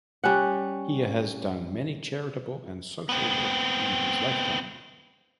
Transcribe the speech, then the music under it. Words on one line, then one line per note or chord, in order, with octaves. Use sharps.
He has done many charitable and social work in his lifetime.
G3 C#4 F#5
B3 C4